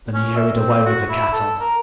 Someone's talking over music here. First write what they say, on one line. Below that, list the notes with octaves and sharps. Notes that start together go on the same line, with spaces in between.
Then he hurried away with the cattle.
C#4
E5
C4
F#4
E4
A4
A#4